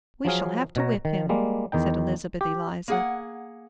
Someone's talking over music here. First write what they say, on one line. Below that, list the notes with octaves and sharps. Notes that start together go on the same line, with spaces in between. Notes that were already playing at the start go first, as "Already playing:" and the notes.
"We shall have to whip him," said Elizabeth Eliza.
F3 F#3 G#4 F5
B2 C#5 A#5
D#3
G3 G#3 A#3
E2 D#3 D#4 G5
G4
A#3 G#4 F#5